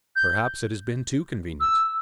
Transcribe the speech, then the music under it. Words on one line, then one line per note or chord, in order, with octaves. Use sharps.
Perhaps it has been too convenient.
G6
E6